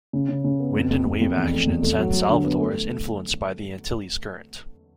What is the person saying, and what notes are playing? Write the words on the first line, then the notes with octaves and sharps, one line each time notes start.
Wind and wave action in San Salvador is influenced by the Antilles Current.
C#3
C#3
C#3
B3
F2
F2
F2
F2
E2
A3
E2
A3
F#3
F#3
D3
B3
A3